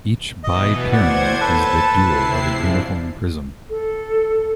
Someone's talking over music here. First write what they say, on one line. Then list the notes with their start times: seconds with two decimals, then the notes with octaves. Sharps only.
Each bipyramid is the dual of a uniform prism.
0.43 B2 E3 B3 D#5
0.93 A2 C5 D5 F#5 G#6
1.41 A4 B4 A5
1.95 C3 E4 C7
2.48 G#2 F3 D4
3.70 A4